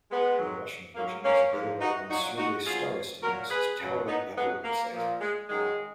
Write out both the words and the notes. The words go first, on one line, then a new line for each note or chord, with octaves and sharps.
The Russian version is available on Sergei Starostin's "Tower of Babel" web site.
G#3 B3
G#2 D#3 F#3
G#2 F#3 A#3
A#3 C#4
G#2 F3
D#4 F#4
A#2 F#3 D#4 F#4
D#4 F#4
B2 F#3 F4 G#4
A#2 F#3 F#4 A#4
G#4 B4
F#2 C#3 F#3
B3 D#4
B2 F#3 G#3 B3
A#3
A#2 F3
G#3
F#2 D#3 F#3 G#3